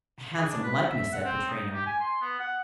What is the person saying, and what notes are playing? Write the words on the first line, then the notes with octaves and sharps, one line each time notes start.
"A handsome likeness!" said Pittrino.
G#4
D4
B4
E5
F#5
C4
D#4
G4
G#5
C6
B3
F#5